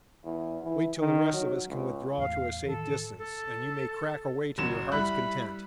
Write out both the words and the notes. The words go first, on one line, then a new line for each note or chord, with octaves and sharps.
Wait till the rest of us can withdraw to a safe distance; and you may crack away to your heart's content.
E2
E3
D#3
F#3
C#2
E2 A2 F5
A2 D#3 E3 A4
A4
F#1 F#3 E7
G3 E4 B5 F#6